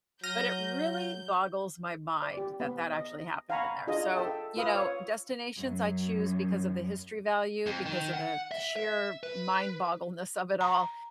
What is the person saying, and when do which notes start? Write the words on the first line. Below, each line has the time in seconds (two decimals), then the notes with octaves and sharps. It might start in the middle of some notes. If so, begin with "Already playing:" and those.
But it really boggles my mind that that actually happened in there. So, you know, destinations I choose because of the history value, because of the sheer mind-boggleness of it all.
0.23 F#3 F6 G6 A#6 D#7
2.22 D5
2.37 G4
2.60 B3
2.92 D#5
3.50 F5 F#5 G#5 A#5 B5 C#6
3.87 D4 F4 G#4 D#5
4.16 A4 E5 G5 A5
4.57 F4 B4 F5 D#6 E6
4.75 C#5
5.57 F#2
7.67 F2
7.86 D#3
8.14 F#5
8.51 E5
8.76 E5
9.23 B4
10.61 A#5